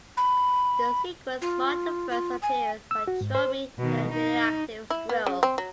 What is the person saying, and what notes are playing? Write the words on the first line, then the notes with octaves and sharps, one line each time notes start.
The sequels marked the first appearance by Tromie the radioactive squirrel.
B5
F4
F4
G#5
E6
F#4
G#2
C5
B2 D#3
D#4
E4
B3
C#3
C4
F#3